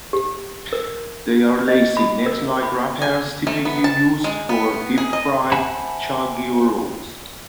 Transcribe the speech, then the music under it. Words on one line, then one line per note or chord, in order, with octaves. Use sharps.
They are lacy, net-like wrappers typically used for deep-fried cha gio rolls.
G4
A#4
D#5
B5
A#4
B5
G#5
A3
B3
A5
G#3
B3
G#4
D#5
C5 E5 F#5 G#5 A5 B5